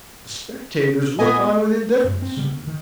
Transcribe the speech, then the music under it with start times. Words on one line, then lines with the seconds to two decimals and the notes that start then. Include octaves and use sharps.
The spectators looked on with indifference.
1.18 A#2 B3 D#5 G#5
2.04 F#2
2.22 C4
2.37 C#3 G3 B3
2.50 D2
2.67 D#3